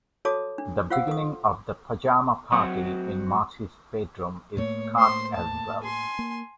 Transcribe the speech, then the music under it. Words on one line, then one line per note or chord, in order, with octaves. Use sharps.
The beginning of the pajama party in Marty's bedroom is cut as well.
F#4 A4 C#5 A5 D6 D#6
D4
F4 C5 F5 F#5 E6
A4 D#6
F#3 C4 F#4
A2 A3 A#3 C#5
C5 C6
A5
G#5 C6
A#3